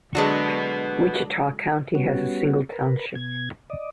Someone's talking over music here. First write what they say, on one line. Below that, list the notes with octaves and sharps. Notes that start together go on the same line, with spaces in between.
Wichita County has a single township.
D3 F#3 G#3 D4 F#4 B4
G3 B3 C#4 F#4
A#4 B4
B2 G#6
D5 D#5